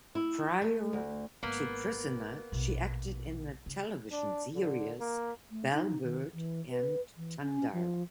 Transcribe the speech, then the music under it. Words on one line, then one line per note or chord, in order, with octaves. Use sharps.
Prior to "Prisoner" she acted in the television series "Bellbird" and "Tandarra".
E4
A3
D2
G#1 A#3 B3
A#1 B2
C#3
D4
D3
A#3
A3
D#4
D#3
E3
B4
E3
C#4
F3